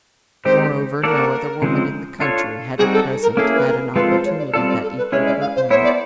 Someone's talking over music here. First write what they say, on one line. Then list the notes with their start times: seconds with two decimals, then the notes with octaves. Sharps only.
Moreover, no other woman in the country had at present had an opportunity that equaled her own.
0.45 D#3 G#3 C4 D#4 G4 C5
1.03 A#3 D4 F#4 A4 A#4 D5
1.62 C#3 F3 G#3 C4
2.20 D4 F4 A4 C#5
2.78 G3 C4 D#4 F#4 G#4
2.93 A4
3.22 A#4
3.37 A#3 C#4 E4 G#4 A4
3.55 B4
3.67 A#4
3.95 F3 G#3 C4 F4 A4 B4
4.10 C5
4.25 C#5
4.39 D5
4.53 G3 C4 F4 A4 D5
4.69 D5
4.83 A4
4.98 B4
5.11 G#3 C#4 E4 G#4 C#5
5.26 D5
5.41 F5
5.56 C5
5.70 B3 E4 A4 C5 C#5
5.84 D5